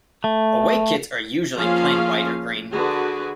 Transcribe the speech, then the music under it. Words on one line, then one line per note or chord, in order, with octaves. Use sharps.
Away kits are usually plain white or green.
A3
F3 A#3 C#4 F4 G#4 F5
D3 F#4 G#4 B4